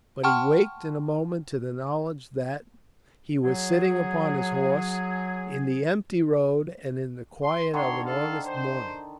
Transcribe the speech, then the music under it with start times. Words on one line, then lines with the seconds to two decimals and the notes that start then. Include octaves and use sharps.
But he waked in a moment to the knowledge that he was sitting upon his horse in the empty road and in the quiet of an August morning.
0.23 F#5 G5 A5 C6 C#6 F6
3.44 F#3 G#4
7.42 C6
7.73 D3 D#3 C#5 C6
8.05 A4 F5
8.44 C5